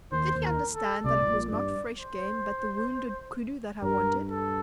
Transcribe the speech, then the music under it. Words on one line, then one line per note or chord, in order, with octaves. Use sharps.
Did he understand that it was not fresh game but the wounded koodoo that I wanted?
D#2 D#3 C5
D#2 D#3
A#4
A4
C2 C3 D5
A2
A#1 A#2
G2 D5
C5
G2 A#4
A4